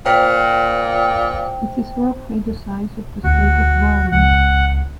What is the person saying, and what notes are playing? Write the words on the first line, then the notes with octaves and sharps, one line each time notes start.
It is roughly the size of the state of Vermont.
A#2 C5 G5
D2 F#4
C#2 F#5